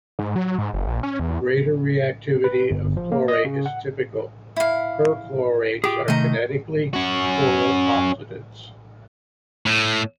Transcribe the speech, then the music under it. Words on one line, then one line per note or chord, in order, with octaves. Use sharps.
The greater reactivity of chlorate is typical - perchlorates are kinetically poorer oxidants.
G#2
F#3
G#2
F#1
A#1
C#4
E2
B4
G1
F3
A#3
D#5
C#3
F#5
E4 F5
F4 G4 G#4 D6
C3 D#3 A3 D#5 A#5
C#4 F#4
A2